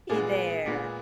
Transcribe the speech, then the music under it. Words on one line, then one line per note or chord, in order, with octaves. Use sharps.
Hey there.
A#2 G#3 B3 G#4
A#2 G#3 B3